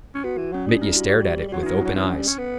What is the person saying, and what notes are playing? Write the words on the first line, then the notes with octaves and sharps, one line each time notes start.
Mitya stared at it with open eyes.
C#4
B3 F#4
E3
F#3 C#4
G3 D4
E4
F#4
G4
G3
F#3 F#4
E3 D4 E4
F#3
D4
F#3
E3 C#4
F#3
G3
C#4
B3